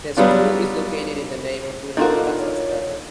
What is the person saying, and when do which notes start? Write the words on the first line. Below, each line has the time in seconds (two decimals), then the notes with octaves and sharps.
The school is located in the neighbourhood of Vasastaden.
0.17 F#3 G3 B3 D4 F4
1.97 D4 D#4 F4 F#4 A4 A#4
2.38 C#5